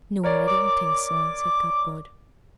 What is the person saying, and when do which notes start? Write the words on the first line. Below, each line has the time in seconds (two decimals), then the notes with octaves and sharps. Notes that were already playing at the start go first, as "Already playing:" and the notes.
"No, I don't think so," said Cuthbert.
0.24 A#4 C#5 D5
0.47 D6